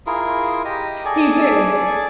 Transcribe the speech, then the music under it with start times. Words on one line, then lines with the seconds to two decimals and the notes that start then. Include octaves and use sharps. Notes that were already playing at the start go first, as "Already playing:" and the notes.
He did.
0.07 E4 F4 G#4 A#4
0.65 G4 D#5
1.05 G#4 A4 D5 G#5